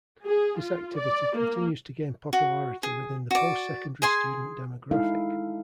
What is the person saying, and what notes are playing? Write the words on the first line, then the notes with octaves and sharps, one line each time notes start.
This activity continues to gain popularity within the post-secondary student demographic.
G#4
F4
D5
A#3
F#4
G#4
F#4 D5
G#4 G#5 C6
G#3 D#4 E4 A4 F5